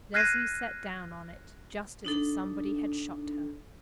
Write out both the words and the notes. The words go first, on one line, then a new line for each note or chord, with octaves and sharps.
Leslie sat down on it just as if somebody had shot her.
F6 F#6 G#6 A#6 C7 D#7
D4 D#4 A4